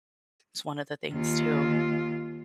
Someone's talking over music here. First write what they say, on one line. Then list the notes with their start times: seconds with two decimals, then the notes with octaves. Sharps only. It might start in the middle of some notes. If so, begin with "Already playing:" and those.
is one of the things too.
1.12 D#2 F4